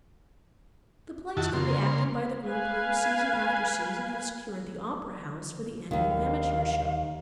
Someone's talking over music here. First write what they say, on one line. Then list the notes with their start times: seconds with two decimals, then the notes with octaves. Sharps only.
The plays could be acted by the group who, season after season, have secured the opera house for the annual amateur show.
1.37 F2 D#3 E4 F#4 A5
1.53 C#3 A#3 C6
2.44 B4 F5 G#5
5.91 D#2 D#3 F5